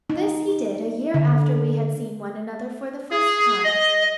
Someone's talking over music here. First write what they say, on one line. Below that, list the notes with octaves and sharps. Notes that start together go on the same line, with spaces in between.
This he did a year after we had seen one another for the first time.
D#4
D3
G#4
D#5